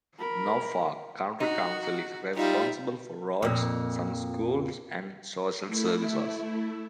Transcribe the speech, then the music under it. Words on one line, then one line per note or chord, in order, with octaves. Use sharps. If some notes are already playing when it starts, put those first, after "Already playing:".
Norfolk County Council is responsible for roads, some schools, and social services.
A#4 B5
D#4 F#4
G3 D#4 F4 E5
F2 A#2
A3 E4